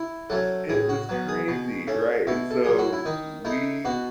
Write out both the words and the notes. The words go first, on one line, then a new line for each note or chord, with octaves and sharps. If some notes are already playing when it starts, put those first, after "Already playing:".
It was crazy, right? And so we
Already playing: E4
F#3 A3 C#4 A4
A2 G#4
F#4
F#3 B3
G#4
B2
A3 C#4
B2 E4
A4
F#3 C#4 G#4
F#4
E4
D#3 D#4
A3 D#4 E4
B2 F#4